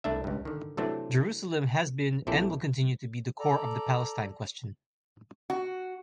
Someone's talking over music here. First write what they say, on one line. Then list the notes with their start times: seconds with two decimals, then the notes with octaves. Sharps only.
Jerusalem has been and will continue to be the core of the Palestine Question.
0.04 C2 A3 D4 E5
0.24 C#2 G2
0.45 D3 D#3
0.77 C3 E3 F#3 A3 C4 D4
2.27 A#1 A#2 C4 E4 A4 D5
3.40 A4 D5 A#5
5.50 F#4